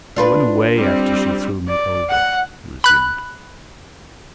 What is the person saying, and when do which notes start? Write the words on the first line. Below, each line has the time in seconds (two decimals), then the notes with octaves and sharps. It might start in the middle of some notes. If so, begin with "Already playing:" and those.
"I went away after she threw me over," he resumed.
0.16 D4 F4 B4
0.77 G3 C4
1.68 D5
2.10 F#5
2.84 B5 F#6